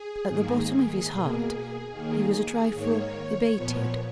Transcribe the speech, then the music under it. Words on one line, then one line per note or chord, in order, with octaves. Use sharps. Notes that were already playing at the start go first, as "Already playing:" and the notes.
At the bottom of his heart, he was a trifle hebetated.
Already playing: G#4
G#2 D#3 A#3
G#4
B2 A#3 G#4
D#2 D#3 A#3 G#4
G#2 D#3 A#3 C#5
A#2 F3 B3